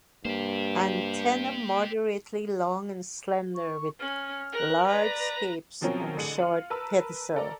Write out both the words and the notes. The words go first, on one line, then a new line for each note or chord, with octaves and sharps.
Antenna moderately long and slender with large scape and short pedicel.
G2 A#3 G4 C5
C#6
C#4 F6
A#4 F#6
B4 D5 A#5
B2 F3 F#3 C4 C#4 A#4
A1 D3 G#4 C#7 D#7 F#7
F4 F6
A#4 B4 A5 E6
A4 A#4 D5 A#5